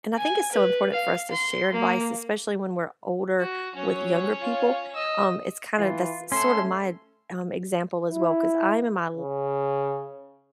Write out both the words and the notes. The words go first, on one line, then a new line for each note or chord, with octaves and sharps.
and I think it's so important for us to share advice, especially when we're older, with younger people, um, it's kinda that's sorta my um, example as well 'cause I'm in my
G#5
B4
F5
C6
A#3
F#4
F#3 C#4 C#5
F4
D#5 E6
E3 F4
A3 C#4 A4 C6
E4
C#3